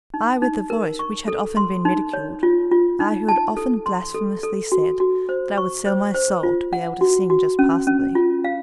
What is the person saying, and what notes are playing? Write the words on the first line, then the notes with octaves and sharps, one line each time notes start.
I with the voice which had often been ridiculed; I who had often blasphemously said that I would sell my soul to be able to sing just passably.
D#4
D#4
A#4
C#6
A4
C6
D#4
C#5
F4
F4
D#4
A5
A4
C6
A4
A4
F#4
F#4
C5
C#6
C5
C5
F4
F#5
F#4
F#4
C#4
C#4
F4
F5